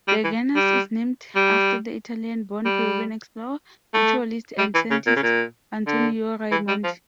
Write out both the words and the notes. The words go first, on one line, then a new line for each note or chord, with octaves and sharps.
The genus is named after the Italian-born Peruvian explorer, naturalist, and scientist, Antonio Raimondi.
G3
E3
G3
G3
G3
A3
G3
E3
C#3
A#2
C#3
A#2
D3
E3
G3
F3